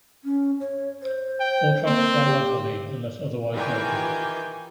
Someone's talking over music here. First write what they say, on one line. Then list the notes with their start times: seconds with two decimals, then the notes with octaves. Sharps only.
All tracks by Mudhoney unless otherwise noted.
0.24 C#4
0.60 C#5
1.03 C5
1.40 G5
1.87 A#3 C4
2.26 G4
3.52 D#3 E3 F4 G4 G5 G#5